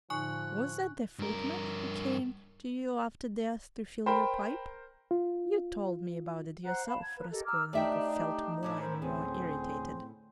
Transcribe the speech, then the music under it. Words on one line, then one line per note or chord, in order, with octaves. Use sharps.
"Was that the footman who came to you after death to fill your pipe?... you told me about it yourself." Raskolnikov felt more and more irritated.
A2 D3 F3 D#4 G#5 C#6 F#6
G2 A#4
A#4 C5 G5 B5
F4
C5 F#5 A#5 F#6
F5 A5 B5
G#6
A#4 B4
G4 A4 A#4 D#5
A#5 D6 E6 F6
A3 D4 D#4 G4 E5 G5
G4
A2 C#4 D4 E4
A#4 C5
D2 C4 G#4